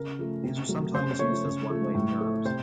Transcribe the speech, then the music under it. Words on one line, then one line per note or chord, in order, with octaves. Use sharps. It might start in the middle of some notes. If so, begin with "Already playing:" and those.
These are sometimes used as "one-way mirrors".
Already playing: C#3 A#4
F3 A3
C3
F#3 A3
C#3 C5
C5
F3 A3 C#5
C#3
F3 A3
A2
A3
C3 C5